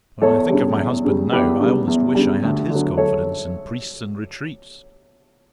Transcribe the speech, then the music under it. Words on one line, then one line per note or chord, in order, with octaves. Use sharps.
When I think of my husband now, I almost wish I had his confidence in Priests and Retreats.
E2 A4 C#5
C#3 G3
E2
C#3 G3
E2 G4 B4
C#3 G3
E2
C#3 G3
D2
D3 F#3
A4 C#5